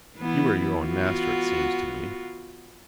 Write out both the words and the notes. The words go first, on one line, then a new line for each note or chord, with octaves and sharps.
You are your own master, it seems to me.
E3 B3 E4
B3 F4 F#4